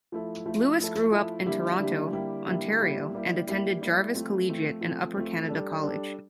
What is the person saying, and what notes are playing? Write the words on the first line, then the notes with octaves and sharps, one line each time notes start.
Lewis grew up in Toronto, Ontario, and attended Jarvis Collegiate and Upper Canada College.
F3 A3 E4 A4
F3 A3 E4 A4
F3 A3 E4 A4
F3 A3 E4 A4
D3 G3 A#3 E4 G4
D3 G3 A#3 E4 G4
D3 G3 A#3 E4 G4
D3 G3 A#3 E4 G4
G3 A#3 E4 G4
G3 A#3 E4 G4
G3 A#3 E4 G4
G3 A#3 E4 G4
F3 A3 C4
F3 A3 C4
F3 A3 C4
F3 A3 C4
G3 D4 A4
G3 D4 A4